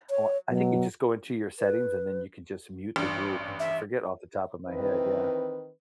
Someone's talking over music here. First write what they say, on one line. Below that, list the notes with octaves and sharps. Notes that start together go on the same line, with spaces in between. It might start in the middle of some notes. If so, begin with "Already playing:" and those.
W I think you just go into your settings, and then you can just mute the group. I forget off the top of my head. Yeah.
C#5
B2 F#3
B4
A1 G2
E5
D#3 E3 C4 B4